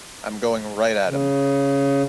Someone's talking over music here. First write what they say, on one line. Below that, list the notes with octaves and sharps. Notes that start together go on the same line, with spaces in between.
I'm going right at him.
C#3